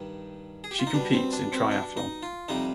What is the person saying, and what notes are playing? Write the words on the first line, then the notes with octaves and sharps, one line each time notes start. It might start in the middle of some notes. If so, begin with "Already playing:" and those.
She competes in triathlon.
Already playing: G2 D#3 G3
G#4
G4
F4
D#4
B2 G3 D4
C4
D4
C4
D4
D#4
F4
F2 C3 G3 D#4